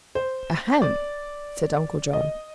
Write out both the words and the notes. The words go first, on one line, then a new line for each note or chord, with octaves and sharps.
"Ahem!" said Uncle John.
C5
D5
D#5